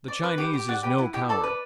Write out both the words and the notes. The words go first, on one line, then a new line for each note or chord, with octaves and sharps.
The Chinese is no coward.
D5
B4
G4
G4
D5 F#5
G4 B4 G5
E4 F#5
E4 G4 G5
A4 D5 A5
B4